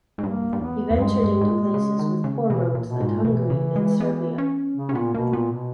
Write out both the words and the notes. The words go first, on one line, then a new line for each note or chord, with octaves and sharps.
He ventured into places with poor roads like Hungary and Serbia.
G#2
G2 A#3
G2
E2 B3
E2
G2 G#3
G2
G#2
A#2
C#3
D#3
C#3
B2 E3
A#2
B2
G#2
A#2
B2 E3
C#3
G#3
B3
C#4
C#3
C#4
A#2 B3
B2 A#3
A#2 B3
B2